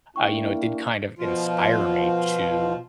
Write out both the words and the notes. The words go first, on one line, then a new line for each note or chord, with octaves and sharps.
uh, you know, it did kind of inspire me to
A#3 D4 E4 G5 C#6
B2 F3 F4